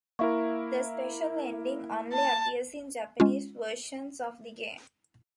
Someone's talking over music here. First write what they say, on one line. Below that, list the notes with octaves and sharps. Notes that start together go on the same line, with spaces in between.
The special ending only appears in Japanese versions of the game.
A#3 E4 A#4 E5 F5 C#6
A5
G#3 C#4 F4